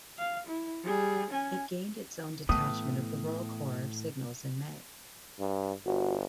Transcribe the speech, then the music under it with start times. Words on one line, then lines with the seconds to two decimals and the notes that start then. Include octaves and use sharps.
It gained its own detachment of the Royal Corps of Signals in May.
0.18 F5
0.47 E4
0.83 G3 G#4
1.30 C#4 G#5
2.49 A2 E3 B3 D#6
5.40 G2
5.86 G1 F#4